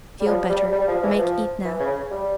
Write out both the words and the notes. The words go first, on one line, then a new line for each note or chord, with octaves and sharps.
"Feel better, make eat now."
G3
F3
G3
G3
F3
E3
F3
E3
C#3
G3